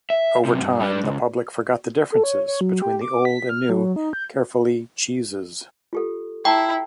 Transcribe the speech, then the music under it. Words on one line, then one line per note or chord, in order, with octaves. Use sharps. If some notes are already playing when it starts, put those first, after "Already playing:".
Over time, the public forgot the difference between the old and new Caerphilly cheeses.
E5
B1 C3
G2
G3 D4
C#2
A4
C#5
C#5
F#3
G4
D6
B6
F6
F#3
D#4
G6
F4 G4 A4
E4 G5 A5 A#5 C#6